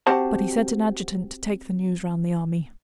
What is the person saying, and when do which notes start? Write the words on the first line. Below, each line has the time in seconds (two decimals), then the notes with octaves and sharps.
But he sent an adjutant to take the news round the army.
0.07 C4 F#4 G4 C5 F#5 A5